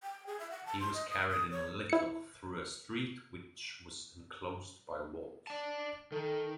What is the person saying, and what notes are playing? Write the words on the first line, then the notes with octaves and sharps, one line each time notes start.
He was carried in a litter through a street which was enclosed by walls.
G5
G#4
E5
F#5
A5
C6
D#5
D#6
D#6
C#5
E4 C#7
D5 A5
D#3 A4